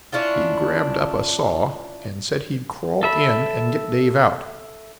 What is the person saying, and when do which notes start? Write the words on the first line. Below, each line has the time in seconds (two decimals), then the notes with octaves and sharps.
He grabbed up a saw, and said he'd crawl in and get Dave out.
0.12 C#4 D4 E4 F4
3.03 A4 E5 B5